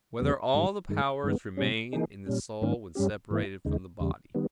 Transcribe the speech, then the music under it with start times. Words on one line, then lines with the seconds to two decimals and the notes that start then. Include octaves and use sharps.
Whether All the Powers Remain in the Soul When Separated from the Body?
0.20 E2 C#3 G3 B3
0.54 G#2 D#3 G3
0.89 G2 D#3 G#3
1.24 G2 D#3 G#3 B3
1.57 B2 G3 C#4
1.93 E3 A#3 D#4 G#4
2.26 A#2 G3 C#4
2.62 G#2 D#3 A#3 C#4
2.95 G2 G3 C#4 G4
3.31 G#2 E3 A#3 E4
3.65 D#2 C#3 G#3 D#4
4.00 E2 C#3 G3
4.35 D#3 G3 B3